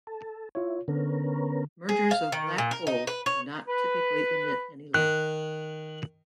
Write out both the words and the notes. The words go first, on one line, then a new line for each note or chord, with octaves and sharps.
Mergers of black holes do not typically emit any light.
A4
E4 F4 C#5
D3 B3 C#4 A#4
G#4
F5
D#3
A#2
A#4
D#4
B4
C#5
B4
D#3 F#6